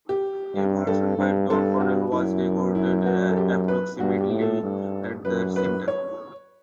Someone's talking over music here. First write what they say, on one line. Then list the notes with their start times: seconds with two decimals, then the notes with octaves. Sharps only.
A version by Don Cornell was recorded approximately at the same time.
0.09 G4
0.56 G2
0.87 G2 A4
1.18 G2
1.50 G2 A4
1.80 F#4
2.12 F#2 E4
2.75 E4
3.06 F#4
3.29 A4
3.37 G4
3.68 B4
4.00 G2 F#4
4.20 G4
4.31 A2
4.41 A4
4.63 G2
5.25 F#2 B4
5.56 B4
5.88 C#5